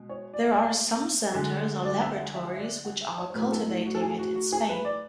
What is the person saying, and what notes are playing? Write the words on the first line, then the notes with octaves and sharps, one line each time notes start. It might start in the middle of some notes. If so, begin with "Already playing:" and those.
There are some centers or laboratories which are cultivating it in Spain.
Already playing: B2 G#3
C#5
D5
E5
D5
D3 G#3
D5
E5
F#5
E5
E5
D5
F#5
E5
C#5
C#5
A2 F#3 A3 B4
A4
E4
F#4
A4
G#4
F#4
F#4
G#4
B4
D5